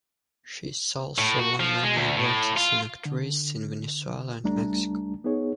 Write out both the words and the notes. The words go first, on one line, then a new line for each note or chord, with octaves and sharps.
She's also won many awards as an actress in Venezuela and Mexico.
A2
F#4
F3
G#3
D2
A2
F4
D3
C#2 G3 A3 D4 A#5
B3 D#4 G#4 C#5